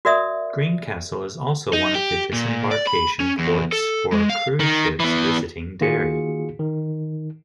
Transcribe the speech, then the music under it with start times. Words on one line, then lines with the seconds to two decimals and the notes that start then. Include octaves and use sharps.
Greencastle is also one of the disembarkation ports for cruise ships visiting Derry.
0.05 F#4 A#4 D5 E5 D#6
1.73 D#4
1.95 G4
2.33 A#2
2.71 D5
2.87 B5
3.20 C#4
3.39 E2
3.72 A4
4.12 G#3
4.30 F5
4.60 D#3
5.00 E3 B3
5.81 D#3 A#3 F4 F#4 G#4 C#7
6.59 D#3